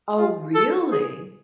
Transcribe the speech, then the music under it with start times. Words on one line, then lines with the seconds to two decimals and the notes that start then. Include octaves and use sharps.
Oh, really?
0.18 F4
0.54 A4
0.92 G#4